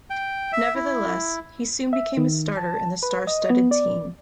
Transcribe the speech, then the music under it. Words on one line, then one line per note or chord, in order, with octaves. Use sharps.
Nevertheless, he soon became a starter in the star-studded team.
G5
E5
E4
E5
D#3
A5
B4
D#5
B3
D5